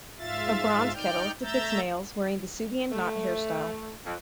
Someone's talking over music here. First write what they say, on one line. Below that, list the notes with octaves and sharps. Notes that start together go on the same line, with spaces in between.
A bronze kettle depicts males wearing the Suebian knot hairstyle.
G#2 F4 E5 F5 A6
D#4 D5 G5 F6 G6
A3 E5 A#5 E6 G6 A6
A3
F2